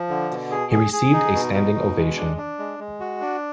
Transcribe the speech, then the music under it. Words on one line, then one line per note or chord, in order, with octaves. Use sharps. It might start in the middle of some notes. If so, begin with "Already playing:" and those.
He received a standing ovation.
Already playing: F3
D3
B2
G#4
G#4
G#4
D#4
B2
D#4
B2
G#3
D4
D4
G#3
G#3
F#4
D4